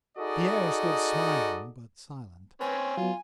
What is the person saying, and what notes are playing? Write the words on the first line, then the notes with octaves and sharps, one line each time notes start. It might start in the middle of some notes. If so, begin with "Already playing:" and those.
Pierre stood smiling but silent.
D#4 F#4 G#4 A4 D5 D#5
C4 C#4 B4 G#5
F#3 B3 F4